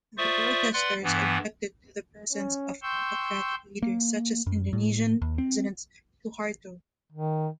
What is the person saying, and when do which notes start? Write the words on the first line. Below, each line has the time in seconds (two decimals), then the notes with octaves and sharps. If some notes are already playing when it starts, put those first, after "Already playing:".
The protesters objected to the presence of autocratic leaders such as Indonesian president Suharto.
0.18 F4 C5 D5 E5 C#6 D#6
0.74 B4 D5 F#5 C6
1.04 G2 E3 B3
2.32 C#4
2.82 G5 C6 C#6 E6 G6
3.83 A#3
4.47 F#2
4.73 A2
5.22 D#2
5.38 C4
7.13 D#3